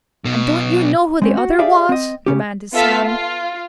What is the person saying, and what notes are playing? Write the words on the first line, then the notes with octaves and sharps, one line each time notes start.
"And don't you know who the other was?" demanded Sam.
B1 B2
G#3 C4 C#4
F#4
G4 G#4 D5 E5 F5
C4 D#5
C#3 C#4 G4
B3 F4 A4 E5 F5 B6
F4